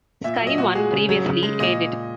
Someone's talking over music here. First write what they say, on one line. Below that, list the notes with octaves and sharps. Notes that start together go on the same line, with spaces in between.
Sky One previously aired it.
A#2 E5
E5
F#3
D#5
A#2 F#4
G#3 G#4
C#3
F#3
C#3
G#3
A#2 D#5